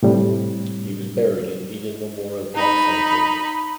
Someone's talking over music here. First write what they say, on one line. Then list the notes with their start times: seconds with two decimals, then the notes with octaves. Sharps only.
He was buried in Eden Memorial Park Cemetery.
0.03 A2 C3 G3
2.57 D#4 B5